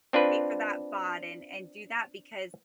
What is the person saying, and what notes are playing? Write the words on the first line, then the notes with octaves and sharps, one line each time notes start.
pay for that bot and and do that because
C4 D4 F4 B4